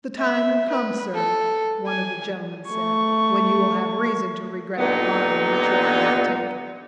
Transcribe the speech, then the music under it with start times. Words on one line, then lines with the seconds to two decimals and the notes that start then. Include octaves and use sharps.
"The time will come, sir," one of the gentlemen said, "when you will have reason to regret the line which you have now taken."
0.19 E5
0.71 B4
1.14 A4
1.88 G#5
2.68 A3 C#6
4.78 G2 A#2 D3 B3 D#4